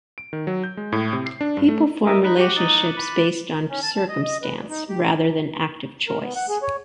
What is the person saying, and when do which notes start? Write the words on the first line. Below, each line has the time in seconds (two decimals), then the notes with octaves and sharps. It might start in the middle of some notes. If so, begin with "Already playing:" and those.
People form relationships based on circumstance rather than active choice.
0.18 D7
0.33 D#3
0.47 F#3
0.64 G6
0.77 G#3
0.92 A2
1.13 C3
1.26 C7
1.41 D4
1.57 G2
1.69 A3
2.06 A#4 D#5 E5
2.24 D#4 B5 F#6
2.37 F#4 G4 D6 C#7 D#7
2.56 D#4 D#6 A6 F#7
2.97 B5
3.69 C#4
3.82 A5
3.97 A5
4.09 D#5
4.23 D#5
4.43 B4
4.56 A#2
4.69 D#4
4.89 G4
6.08 A#4
6.21 B3
6.36 F#5
6.49 G#4
6.63 C#5